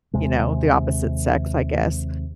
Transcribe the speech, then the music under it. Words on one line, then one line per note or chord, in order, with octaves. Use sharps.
you know, the opposite sex, I guess.
D#2 C3 G#3